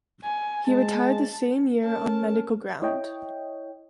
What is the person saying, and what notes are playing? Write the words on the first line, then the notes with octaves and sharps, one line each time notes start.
He retired that same year on medical ground.
G#5
G#3 A5
C#4 A4 A#4 C#5 A5
E4 C#5 D#5 G5